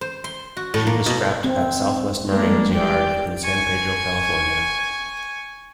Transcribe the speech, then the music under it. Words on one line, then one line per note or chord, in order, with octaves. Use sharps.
She was scrapped at Southwest Marine's yard in San Pedro, California.
C5
C6
F#4
A2
A#3
B2
C4
G3 G#3 A#3 B3 D4
G4 D5 G5
G#5 C#6